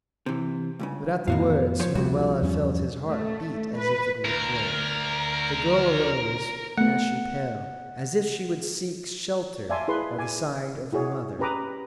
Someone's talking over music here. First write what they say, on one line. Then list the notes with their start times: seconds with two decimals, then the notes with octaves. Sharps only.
But at the words Manoel had felt his heart beat as if it would break. The girl arose, ashy pale, as if she would seek shelter by the side of her mother.
0.26 C3 E3
0.79 C#2 G2 C#3
1.28 F2 A2 D#3 B3 F#4 F5
1.80 F3 C5 C#5
1.95 D2 C3 F3 G3 F#4
2.42 E2 G2 C#4
3.08 A3
3.78 B4
4.25 D2 A#4
6.78 A3 B3 F#5
9.70 D5 E5 F5 G#5 A5 C6
9.88 E4 G#4 B4 C6
10.19 G#5 D6
10.92 E4 F#4 G#4 C#5
11.39 C#4 G4 B4 A#5 D6 D#6